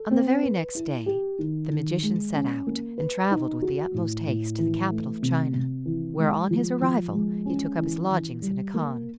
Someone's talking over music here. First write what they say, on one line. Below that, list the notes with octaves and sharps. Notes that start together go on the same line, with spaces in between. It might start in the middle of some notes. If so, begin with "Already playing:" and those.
On the very next day, the magician set out and travelled with the utmost haste to the capital of China, where, on his arrival, he took up his lodgings in a khan.
Already playing: A4
C4
B4
E4
G4
D#3
D#3
G#3
C#4
A#3
B4
D#4
F#4
A2
A2
E3
A3
C3
C3
E3
G#3
F3
F3
G#3
C#4
E3
E3
G3
A#3